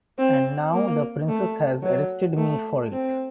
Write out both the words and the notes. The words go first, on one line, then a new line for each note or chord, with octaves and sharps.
And now the princess has arrested me for it.
C4
A#3
A3
F#3
A3
C4